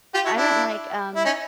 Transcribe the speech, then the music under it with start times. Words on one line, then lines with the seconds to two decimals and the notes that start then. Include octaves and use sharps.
I don't like, um,
0.14 F4 G4
0.25 E4 F#4
0.36 D4 E4
1.16 E4
1.25 C#4 D#4